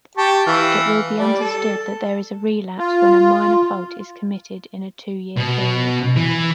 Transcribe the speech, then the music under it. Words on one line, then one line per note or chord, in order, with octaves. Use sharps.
It will be understood that there is relapse when a minor fault is committed in a two-year period.
G4 A5 C#6
E3 F5
G3 D5
A4
F4
B2
E3